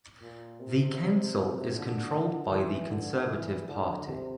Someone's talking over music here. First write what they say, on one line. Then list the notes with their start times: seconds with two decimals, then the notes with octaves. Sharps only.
The council is controlled by the Conservative Party.
0.22 A#2
0.60 C3
1.76 D3
2.53 E3
2.91 D3
3.30 E3
3.68 D3
4.07 C3